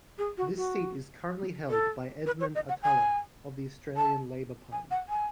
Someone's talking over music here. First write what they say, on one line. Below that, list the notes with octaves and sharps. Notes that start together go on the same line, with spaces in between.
This seat is currently held by Edmond Atalla, of the Australian Labor Party.
G#4
F#4
F#4
A4
B4
C#5
D#5
F#5
G#5
A5
G#5
F#5
G#5